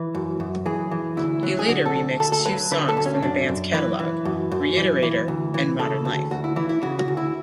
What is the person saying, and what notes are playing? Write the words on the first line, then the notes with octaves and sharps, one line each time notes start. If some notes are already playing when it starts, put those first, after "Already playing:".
He later remixed two songs from the band's catalogue - "Reiterator" and "Modern Life".
Already playing: E3 B4
F#2
F#2
E3 G#4
E3
D2 E4
F#3
G#4
D3 F#4
A4
D2
D2 A4
A4
F#3 B4
D3 B4
A4
D2
C#4
F#2 D4
F#2
E3 B4
E3
F#2
F#2
E3
E3
D2
E3
C#3 A4
D2
D2 F#4
E4
E3 E4
E4
C#3 F#4
F#4
D2
E4